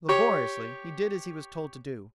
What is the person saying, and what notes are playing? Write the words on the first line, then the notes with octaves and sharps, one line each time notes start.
Laboriously, he did as he was told to do.
G4 C#5